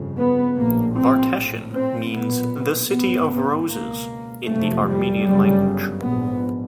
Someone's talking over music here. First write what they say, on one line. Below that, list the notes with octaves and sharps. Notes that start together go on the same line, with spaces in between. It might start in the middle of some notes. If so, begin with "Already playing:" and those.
Vartashen means the city of roses in the armenian language.
Already playing: G1 F2 C#3
B3
A#1 A2 A#3
C4
A#1 A2
C4
B1 A#2 B3
A1 G#2 B3
B3
C#2 B2 A#3
F#1 F2 C3 A3
G3
G1 F#2 C#3 G3
A#1 G#2 B3